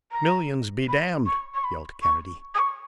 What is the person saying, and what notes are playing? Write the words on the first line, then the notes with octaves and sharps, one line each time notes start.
"Millions, be damned!" yelled Kennedy.
A#5
B5
C#6
C#6
B5
C#6
D#6
C#6